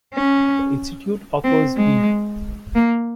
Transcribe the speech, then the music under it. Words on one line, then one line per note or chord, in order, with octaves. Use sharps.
The institute offers B.
C#4
C4
G#3
A#3